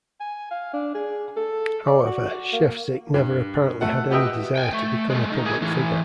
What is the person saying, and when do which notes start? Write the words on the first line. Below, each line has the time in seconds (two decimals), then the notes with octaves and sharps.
However, Scheffczyk never apparently had any desire to become a public figure.
0.20 G#5
0.51 F5
0.73 D4
0.95 G#4
1.37 A4
1.87 D5
2.06 F#4
2.53 A#3
3.14 G2
3.81 A3 A4 F#5
4.10 F#4 G4 B4 D#5 E5 G5
4.56 G5 G#5
4.73 A3
5.10 G#3 A3
5.32 D#3
5.45 A#3 G#4
5.62 A2 E3